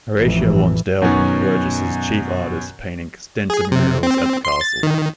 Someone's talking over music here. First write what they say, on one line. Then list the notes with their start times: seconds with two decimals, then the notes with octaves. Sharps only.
Horatio Lonsdale was Burges's chief artist, painting extensive murals at the castle.
0.17 A1 F2 E3
1.02 F#2 B2 D#3 C#4
3.50 G#4
3.72 C3
4.03 C4
4.45 C6
4.61 A6
4.83 D#3